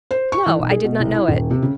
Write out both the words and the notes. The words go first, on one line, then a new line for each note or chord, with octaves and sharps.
"No, I did not know it."
C5
C#6
E3
B1
G#4
B2
C2
E4
D#1
C3
C#3